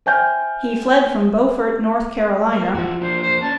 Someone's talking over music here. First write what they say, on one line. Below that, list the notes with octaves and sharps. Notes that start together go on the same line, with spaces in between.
He fled from Beaufort, North Carolina.
C5 E5 G5 G#5 F6 G6
A#3
E2 F3 E4 F#4
A#3 D4 C5
C5
C#4 D4 A5